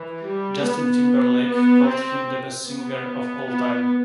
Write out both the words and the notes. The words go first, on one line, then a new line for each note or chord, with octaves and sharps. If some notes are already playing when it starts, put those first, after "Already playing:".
Justin Timberlake called him the best singer of all time.
Already playing: E3
G3
B3
B3
C4
B3
B3